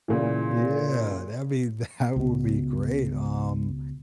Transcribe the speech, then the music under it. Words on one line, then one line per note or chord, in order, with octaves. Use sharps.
Yeah, that'd be that would be great. Um,
A#2 C#3 E3
C#2 B2